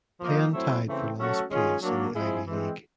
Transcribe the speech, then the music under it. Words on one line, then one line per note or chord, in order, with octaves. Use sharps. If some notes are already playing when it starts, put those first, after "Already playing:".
Penn tied for last place in the Ivy League.
F3 A#3 D#4
F#3 A3 C4 E4
C#3 E3 A3 C4
F#3 A3 C#4 F#4 A4
D#3 G#3 C#4 F4 G#4
F#3 A#3 D4
F3 G#3 C4 E4 G#4
E3 G#3 C4